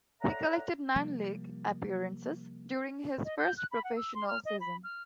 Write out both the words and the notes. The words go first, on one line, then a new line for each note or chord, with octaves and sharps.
He collected nine league appearances during his first professional season.
A4 C#5 D5 E5 F#5 A#5
C3 F3 G3 A#3
D#5
G6
F#6
B5
F#5
E6
C6
F6
D#5
B5
F6